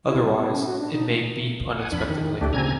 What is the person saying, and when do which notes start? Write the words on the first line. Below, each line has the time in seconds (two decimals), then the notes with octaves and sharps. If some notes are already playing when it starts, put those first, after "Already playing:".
Otherwise, it may beep unexpectedly.
0.07 E4
0.25 G3
0.37 B3
0.51 C#4
0.66 F#4
0.79 D4
0.93 D#4
1.07 A3
1.77 F#5 G#5
1.92 F2 D4 B5
2.10 D#3
2.41 D2 A3 D4 G4
2.53 A#2 C#3 C4 G#5 A#5 G#6